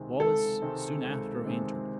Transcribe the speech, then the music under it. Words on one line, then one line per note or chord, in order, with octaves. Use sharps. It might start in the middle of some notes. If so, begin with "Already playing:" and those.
Wallace soon after entered.
Already playing: C#2 C3 D#3 G#3 C4
C#2 A4
C3 D#3 G#3 C4
C#2
C3 D#3 G#3 C4